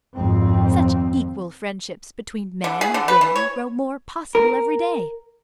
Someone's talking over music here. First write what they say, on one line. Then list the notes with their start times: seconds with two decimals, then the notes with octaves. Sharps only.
Such equal friendships between men and women grow more possible every day.
0.15 G#1 F2 F3 C4
2.64 D3
2.81 G#4
2.94 D3
3.08 B4
3.21 E3
3.36 C#5
4.35 A#4